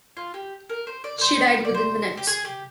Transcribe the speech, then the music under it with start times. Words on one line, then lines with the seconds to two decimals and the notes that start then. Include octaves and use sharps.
She died within minutes.
0.17 F4
0.34 G4
0.70 A#4
0.87 C5
1.04 D5
1.18 A#4
1.21 C5
1.48 C5
1.65 D5
1.74 C5
2.17 G4
2.27 G#4
2.45 G4